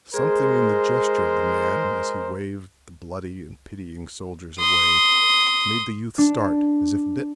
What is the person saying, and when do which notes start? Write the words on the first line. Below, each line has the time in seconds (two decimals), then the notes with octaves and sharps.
Something in the gesture of the man as he waved the bloody and pitying soldiers away made the youth start as if bitten.
0.14 G#3 G#4 A#4 C5
4.59 C6 D#6
6.18 D4